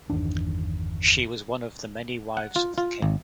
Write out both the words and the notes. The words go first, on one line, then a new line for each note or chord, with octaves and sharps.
She was one of the many wives of the king.
G1 E2 D#3 D4
F#5
F4
F4
G#1